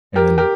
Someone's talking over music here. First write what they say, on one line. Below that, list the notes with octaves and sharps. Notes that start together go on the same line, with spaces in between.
and then
G4 A#4
G4 A#4